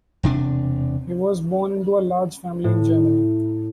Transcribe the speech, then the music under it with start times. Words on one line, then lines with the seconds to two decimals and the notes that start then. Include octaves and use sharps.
He was born into a large family in Germany.
0.23 E1 C3 D4
2.64 A2